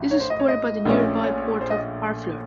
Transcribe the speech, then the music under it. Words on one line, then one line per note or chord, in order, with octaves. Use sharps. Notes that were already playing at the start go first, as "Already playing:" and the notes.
This was supported by the nearby port of Harfleur.
Already playing: A1 A2 F3
C#5
C5
D#5
C#5
D#5
A#1 A#2 A3 C#4
C#5
C5
D#5